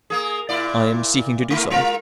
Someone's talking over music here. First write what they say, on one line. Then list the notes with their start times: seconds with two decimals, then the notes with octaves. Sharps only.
"I am seeking to do so."
0.10 A#3 G#4
0.49 A#2 E4 D5
1.50 A3 E4 A#4
1.70 G#3 F4 A#4